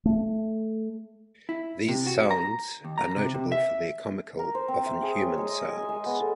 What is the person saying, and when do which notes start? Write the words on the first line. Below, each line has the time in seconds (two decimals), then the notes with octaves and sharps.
These sounds are notable for their comical, often human sounds.
0.05 A3
1.49 E4
1.88 C3
2.07 F#4
2.31 A#5
2.85 D#2
2.98 A#5
3.16 C3
3.34 C3
3.52 E5
4.39 A#4
4.55 C5
4.68 C4
4.86 E5
5.03 G#4
5.18 C#5
5.38 G#3
5.49 D#5
5.70 G#5
5.89 G#3
6.06 B3
6.20 A4